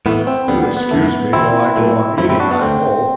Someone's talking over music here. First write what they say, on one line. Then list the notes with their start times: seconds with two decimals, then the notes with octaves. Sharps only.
You'll excuse me while I go on eating, I hope.
0.06 A2 E3 A3 B3
0.27 C4
0.48 D2 D3 G3 B3
0.63 B3
0.77 B3
0.91 F#2 E3 A3
1.33 D2 C3 E3 A3 C4 E4
1.76 A2 F#3 A3
2.18 F#2 D3 F#3 A3 C4 E4
2.29 C4 E4
2.40 D4 F#4
2.51 B3 D4
2.61 D2 D3 A3 C4